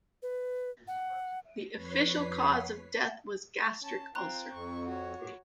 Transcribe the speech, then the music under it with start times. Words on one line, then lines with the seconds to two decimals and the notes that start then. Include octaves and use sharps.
The official cause of death was gastric ulcer.
0.22 B4
0.88 F#5
1.74 F2 B4 C#5 B6 C7
3.82 C#4 A5
4.15 C4 F4 A#5 F#6
4.53 F2 C#6
4.86 F#4 C#5